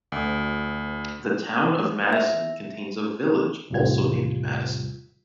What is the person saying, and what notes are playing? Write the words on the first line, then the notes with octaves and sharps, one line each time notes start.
The Town of Madison contains a village also named Madison.
D2
E5
E2 A2 C3 G3 F4 G#6